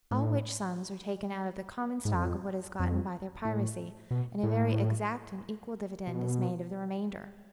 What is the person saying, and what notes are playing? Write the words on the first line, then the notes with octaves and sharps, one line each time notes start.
All which sums are taken out of the common stock of what is gotten by their piracy, and a very exact and equal dividend is made of the remainder.
G#2
A2
G#2
F2
F2
A2
B2
A2
B2